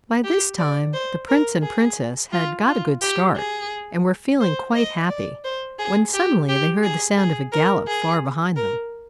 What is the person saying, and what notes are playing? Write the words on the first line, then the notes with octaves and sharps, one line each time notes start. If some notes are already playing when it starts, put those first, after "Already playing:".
By this time the prince and princess had got a good start, and were feeling quite happy, when suddenly they heard the sound of a gallop far behind them.
G4
D5
C5
A#4
G#4
F4
F4
G4
G#4
C5
D#5
D5
C5
G#4
G4
G4
G#4
G#4
A#4
G#4
A#4